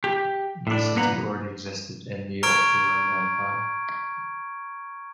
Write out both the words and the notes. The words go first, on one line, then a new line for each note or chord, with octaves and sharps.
The city already existed in the of the Roman Empire.
G4
A2 D4
G2 A#3 B3 B4 F#5 A#5
A#5 C#6 F6 G#6 D7